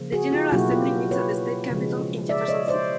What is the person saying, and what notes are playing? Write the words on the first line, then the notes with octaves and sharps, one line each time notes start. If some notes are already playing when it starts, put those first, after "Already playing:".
The General Assembly meets at the State Capitol in Jefferson City.
Already playing: C#3 F3 A#3
F#4 G#4
F4 G4
B2 F#3 A#3 E4 F#4
F4 G4
B4 C#5
C#3 F3 G#3
D5 E5
C#5 D#5
C5 D5